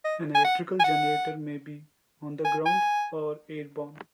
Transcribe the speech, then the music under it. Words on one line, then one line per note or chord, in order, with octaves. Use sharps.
An electrical generator may be on the ground or airborne.
D#5
G#5
F#5
G#5
F#5
G#5
G#5